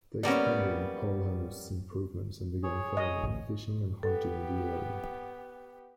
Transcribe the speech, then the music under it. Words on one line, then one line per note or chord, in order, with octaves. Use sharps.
They expanded Paulhamus' improvements and began farming, fishing and hunting in the area.
G3 A#3 B3 C#4
G#4 C#5
D#5
A1 D2 A2
B3 G4 A4